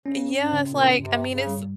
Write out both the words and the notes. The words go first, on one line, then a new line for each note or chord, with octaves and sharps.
Yeah, it's like, I mean, it's
C#3 C#4
G#2
C#3
C3
A#2
G2 C3
C3
C#3
G3
A#2